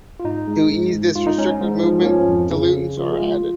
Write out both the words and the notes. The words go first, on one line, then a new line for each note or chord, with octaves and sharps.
To ease this restricted movement, diluents are added.
F4
G#2 D#4
G#3
G#2
G#2
G#2 F4
D#4
G#2 C#4
D#4
G#2
F3
A#3
F3 C#4
F2
C#3
C#3
F3 F4
G#4
F4
G#3